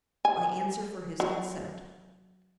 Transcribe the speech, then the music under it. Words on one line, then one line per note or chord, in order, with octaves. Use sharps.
"I answer for his consent."
G#5
F#3